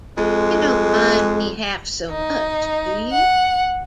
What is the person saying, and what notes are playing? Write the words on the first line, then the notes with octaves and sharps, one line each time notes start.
You don't mind me half so much, do you?
F2 G#3
D#4
F#5